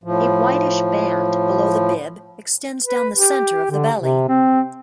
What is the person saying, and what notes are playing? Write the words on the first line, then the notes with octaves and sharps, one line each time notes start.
A whitish band below the bib extends down the center of the belly.
A2 F3
B4
G4
D3
C3
C4